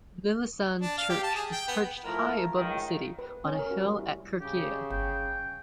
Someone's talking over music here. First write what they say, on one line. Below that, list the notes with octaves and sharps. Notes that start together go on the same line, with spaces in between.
Lillesand Church is perched high above the city on a hill at Kirkeheia.
D4
F5
G4
A5
G#4
G5
B3
F3 A3 E4 A#4
C#2 D#3
B4
C#4
A#4
F#4
G3
E4
C#3 G4
G1 G5